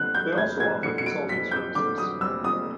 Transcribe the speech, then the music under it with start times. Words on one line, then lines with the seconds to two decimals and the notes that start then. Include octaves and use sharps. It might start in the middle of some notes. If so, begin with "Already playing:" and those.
They also offer consulting services.
Already playing: F2 D3 F#6
0.15 F#3 G6
0.37 F1 G#6
0.60 F2 G#6
0.83 D3 C#7
0.98 C#7
1.06 F#3 D7
1.29 F1 B6
1.51 F2 G6
1.75 D3 D6
1.98 F#3 D#6
2.21 F1 E6
2.44 F2 D#6